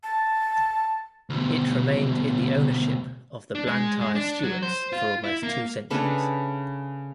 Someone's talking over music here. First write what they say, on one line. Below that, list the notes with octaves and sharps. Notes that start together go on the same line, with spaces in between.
It remained in the ownership of the Blantyre-Stewarts for almost two centuries.
A5
D2 B2
D4
G#3
G#3
D4
F#3
C5
F4
E4
A#3
C#3 A3 D4 B4